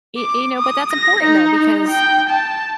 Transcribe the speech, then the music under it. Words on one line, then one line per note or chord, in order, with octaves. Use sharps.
e e know, but that's important though, because,
D6
D#6
A#6
D#4
D#4
G5
A5